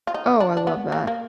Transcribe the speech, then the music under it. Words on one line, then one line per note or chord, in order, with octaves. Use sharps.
Oh, I love that.
F4
D#4
D4
D4
B3
A#3
A#3